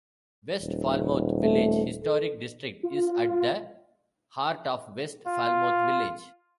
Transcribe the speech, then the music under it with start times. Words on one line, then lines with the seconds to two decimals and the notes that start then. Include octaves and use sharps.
West Falmouth Village Historic District is at the heart of West Falmouth Village.
0.62 D#1
1.42 A3
2.04 A4
2.83 F4
5.27 F4